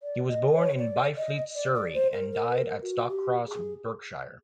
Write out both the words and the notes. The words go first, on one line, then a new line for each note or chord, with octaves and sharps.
He was born at Byfleet, Surrey and died at Stockcross, Berkshire.
D5
D#5
C#5
D5
D#5
D5
D5
C5
A#4
A#4
B4
A#4
F#4
G4
G#4